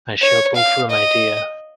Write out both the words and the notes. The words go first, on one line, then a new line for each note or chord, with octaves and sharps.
I shall pull through, my dear!
C#5
F5
D#5